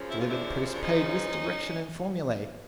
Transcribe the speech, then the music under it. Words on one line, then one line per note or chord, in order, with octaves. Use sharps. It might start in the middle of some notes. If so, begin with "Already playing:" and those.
Delivered postpaid with Direction and Formulae.
Already playing: F#2 C#3 F3
E4
F4
D4 E4
D4
C#4 D#4